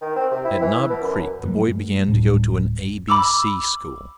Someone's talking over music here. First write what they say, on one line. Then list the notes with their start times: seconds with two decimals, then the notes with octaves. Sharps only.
At Knob Creek the boy began to go to an "A B C" school.
0.02 D#3
0.16 C4
0.31 C3
0.45 E4
0.62 E3
0.90 B2
1.02 F#2
1.45 G2 F#3 G#3 A3
2.08 D1 A2 G3 D4
3.08 B5 D6 E6